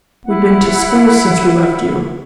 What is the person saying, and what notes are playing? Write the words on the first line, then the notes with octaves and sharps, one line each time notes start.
"We've been to school since we left you."
E4 F#5